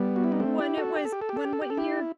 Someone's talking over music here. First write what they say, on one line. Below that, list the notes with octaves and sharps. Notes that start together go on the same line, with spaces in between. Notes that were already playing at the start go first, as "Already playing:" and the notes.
When it was when what year?
Already playing: G3 B3
F#4
E4
D#4
A3 C4
E4 G4
F#4 A4
G4
A4
G4
A4
G4
A4
G4
A4
G4
A4
E4 G4